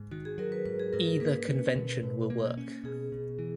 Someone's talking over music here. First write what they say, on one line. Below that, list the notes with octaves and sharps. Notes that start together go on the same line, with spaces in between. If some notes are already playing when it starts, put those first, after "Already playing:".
Either convention will work.
Already playing: G#2
D#3 F#4
G#4
F#3 A#4
B4
G#2 B4
G#4
G#2 A#4
A#4
A#3 B4
C#4
B2
B2
A#3
C#4
B2 G#4
B2
E3